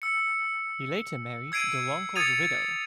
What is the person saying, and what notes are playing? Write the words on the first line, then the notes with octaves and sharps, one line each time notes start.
He later married Deloncle's widow.
E6 C#7
E6 G#6 C7 D7 D#7
D#6 G#6 A6 C#7 D#7 F7